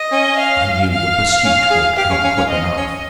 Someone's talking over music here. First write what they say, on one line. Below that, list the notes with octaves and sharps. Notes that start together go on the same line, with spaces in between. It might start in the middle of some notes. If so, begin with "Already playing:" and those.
I knew the pursuit would come quick enough.
Already playing: D#5
C#4
F5
F5
C#4
G#4
G4 F5
C#4
C#4
C#4
C4 D#5
C#4